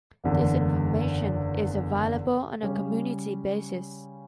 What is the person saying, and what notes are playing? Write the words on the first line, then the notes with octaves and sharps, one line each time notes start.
This information is available on a community basis.
F#1 E2 D3
C#3 G3 C#4